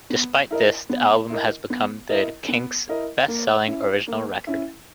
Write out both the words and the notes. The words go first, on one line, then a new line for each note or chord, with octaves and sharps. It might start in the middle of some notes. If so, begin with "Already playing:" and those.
Despite this the album has become the Kinks' best-selling original record.
B3
E4 A#4 D#5
B3
E4 A#4 D#5
B3
E4 A#4 D#5
B3
E4 A#4 D#5
A#3
C#4 E4
A#3
C#4 E4